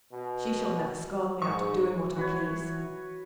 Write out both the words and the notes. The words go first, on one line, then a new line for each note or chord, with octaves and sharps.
She shall never scorn me out of doing what I please.
B2
G#2 C#6
E3 F#4 B4 C#5